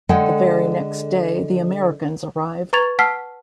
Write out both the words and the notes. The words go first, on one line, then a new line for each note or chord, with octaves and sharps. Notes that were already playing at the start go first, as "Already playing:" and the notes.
The very next day the Americans arrived.
D3 G#3 G#4 A4 F#5 G5
B4 A#5 C#6 G#6 A6 F7
F#5 A5 E6 F6 B6 C7